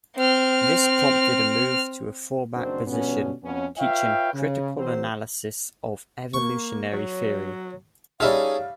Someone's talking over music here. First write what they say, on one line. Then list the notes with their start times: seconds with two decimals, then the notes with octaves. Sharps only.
This prompted a move to a fallback position, teaching "critical analysis" of evolutionary theory.
0.16 C4 F6
2.54 F#1 D#3 C4 D4 F#4 C5
2.86 B2 D3 F3 G3 B3 C#4
3.43 F2 B2 B3 C#4
3.78 F4 B4 C#5 E5 F5 G5
4.33 C#3
4.78 E3 F#3 C4 G4 C5
6.34 A#3 C#6
6.93 F#3 C#5
8.20 G3 C#4 D#4 G#4 A4 E5 F5 F6